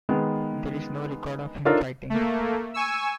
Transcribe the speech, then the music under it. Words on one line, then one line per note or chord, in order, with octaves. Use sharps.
There is no record of him fighting.
D#3 G#3 B3
D4 D#4 F4 A4 A#4 C#5
A3 A#3
G#5 C#6 E6